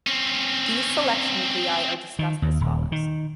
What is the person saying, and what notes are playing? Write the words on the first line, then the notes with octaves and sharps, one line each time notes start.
These select nuclei are discussed as follows.
C4 C#4
D#3
D#2
D#1
D#3